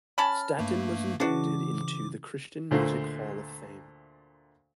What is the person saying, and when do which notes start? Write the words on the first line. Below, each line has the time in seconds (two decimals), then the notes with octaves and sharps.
Staton was inducted into the Christian Music Hall of Fame.
0.18 C#4 A5 B5 F6
0.59 G2 A3 A#3
1.20 C#3 E3 D4 F#4 D6
2.71 D2 A#2 D3 A3 C5